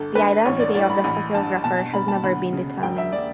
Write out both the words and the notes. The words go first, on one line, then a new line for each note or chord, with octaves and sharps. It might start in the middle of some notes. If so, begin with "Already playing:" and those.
The identity of the photographer has never been determined.
Already playing: G1 A4
G2 B4
A1 C#5
D5
A2 D5
B5
A1 B5
G2 A5
B2 A5
A5
B2 B5
A5
D2 B5
C#3
E1 G5
E5
D5